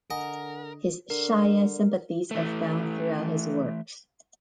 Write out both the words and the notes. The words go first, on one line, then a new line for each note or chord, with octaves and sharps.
His Shia sympathies are found throughout his works.
D3 A#4 D#5 F#5 G#5
D3 A#4
E3 A3